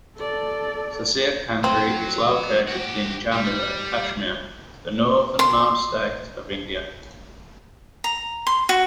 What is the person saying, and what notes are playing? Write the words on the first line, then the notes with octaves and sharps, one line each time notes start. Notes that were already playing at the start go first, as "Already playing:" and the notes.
Sasir Kangri is located within Jammu and Kashmir, the northernmost state of India.
A4 D5
F#3 C4
F#4 G4
G3
C6
A#5
C6
F#4